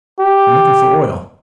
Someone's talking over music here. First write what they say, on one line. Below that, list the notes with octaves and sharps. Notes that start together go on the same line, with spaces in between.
I'm looking for oil.
G4